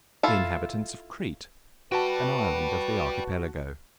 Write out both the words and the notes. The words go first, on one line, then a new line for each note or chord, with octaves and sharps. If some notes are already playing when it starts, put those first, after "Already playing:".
The inhabitants of Crete, an island of the Archipelago.
E4 F4 A4
F#4 B4 D5 G5 A5